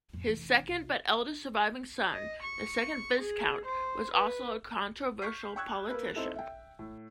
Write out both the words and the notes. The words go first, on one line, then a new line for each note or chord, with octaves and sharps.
His second but eldest surviving son, the second Viscount, was also a controversial politician.
F2 A2
F1 E3
C2
D#5
C#6
G#4
C5
B4
C#6 F6 G6 B6 C7
G5 C#6 E6 F#6 G#6
A#3 A#4 B4
C4 D#4 E4 A4
E5 G5
A2